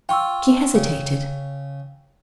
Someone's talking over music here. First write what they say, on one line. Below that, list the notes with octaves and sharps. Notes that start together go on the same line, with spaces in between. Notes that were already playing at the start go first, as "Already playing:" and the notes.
She hesitated.
F4 G5 C#6 E6
C#3